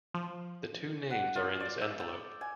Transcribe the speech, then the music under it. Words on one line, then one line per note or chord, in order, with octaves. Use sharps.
The two names are in this envelope.
F3
F#5
F4
D5
E6
G5
G#5